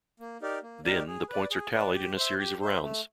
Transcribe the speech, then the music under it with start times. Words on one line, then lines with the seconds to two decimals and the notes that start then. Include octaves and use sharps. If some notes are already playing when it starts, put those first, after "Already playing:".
Then, the points are tallied in a series of rounds.
0.20 A#3
0.42 D#4 G4 A#4 D5
0.63 A#3
0.85 D#4 G4 A#4 D5
1.07 G#4
1.29 B4 D5
1.51 G#4
1.73 B4 D5
1.94 G4
2.17 C5 E5
2.39 G4
2.61 C5 E5
2.83 A3